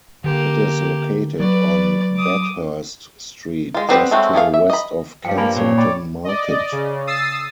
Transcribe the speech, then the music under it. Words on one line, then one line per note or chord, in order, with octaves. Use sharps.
It is located on Bathurst Street just to the west of Kensington Market.
D3 A#3 G4
F#3 B4 D5
D6 D#6
G#3 F4
G3 B3 C4 G4 B4
G#3 A3 C4 C#4 F#4
A3 G#4 C#5 F5
E5
D#5 B5
G2 F3 F5 G5
A#3 D#4 G#5 B5
A#2 C#5
D5 G5 B5
D5 D#5
C#3
D#6 E6 A6 C7